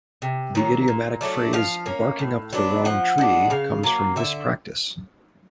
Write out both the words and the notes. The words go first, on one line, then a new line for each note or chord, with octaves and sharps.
The idiomatic phrase "Barking up the wrong tree" comes from this practice.
C3
D#3 F#3 A#3
A#2
F#3 A3 D4
F3 F5
A#3 C#4
A2
F#3 B3 D4
F3 F#5
G#3 B3 D4
C#3 F5
F#3 A#3
D3 E5